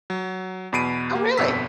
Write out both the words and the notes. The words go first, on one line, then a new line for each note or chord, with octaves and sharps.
Oh, really?
F#3
E2 B2 B5 C7 D7 D#7
A#3 G4
G1 F2 B2 E6 B6